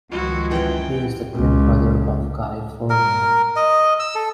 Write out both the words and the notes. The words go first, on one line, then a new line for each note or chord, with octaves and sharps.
He is the twin brother of Guy Fournier.
C#2 D#3 F3 E4 F#4
F#2 E3 G5
C#2
A#4
D#5
E6
A4